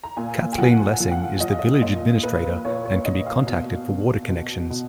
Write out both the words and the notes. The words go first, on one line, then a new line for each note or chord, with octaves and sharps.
Kathleen Lessing is the Village Administrator and can be contacted for water connections.
A#5
A#2 G#5
G#5
F3 F#5
F3 F5
F#5
F5
F3 D#5
F5
D#5
A#2 D#5
A#2 B4
A#2 C#5
C#5
A#2 D#5
F5
B2
B2
B2
B2